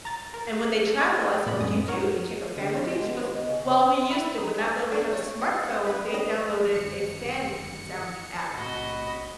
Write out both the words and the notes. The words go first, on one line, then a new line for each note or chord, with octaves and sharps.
And, when they travel, I said, "What do you do, you take a fan with you?" She goes, "Well, we used to, but now that we have a smartphone," they downloaded a fan sounding app.
A#5 A6
A#4
D#5 B5
A#2 D5 B5
F#2 G#3 D#6
A#4 C#5 F#5
D3
F2
G#3
B3
D#2
D#5
C#3
C#4
E4
D#4
G#5
D4
C#5
D#5
F#5
B4
D#5
G1 F#2 D#3 C#7
B1 A2 C3 F#4 D#5 B5